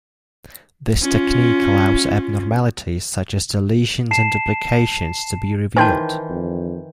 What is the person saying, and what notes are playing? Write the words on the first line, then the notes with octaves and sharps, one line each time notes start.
This technique allows abnormalities such as deletions and duplications to be revealed.
C#4 F4
A5 C7 E7
D#3 E3 C5 G5 A5 C6 G6
F2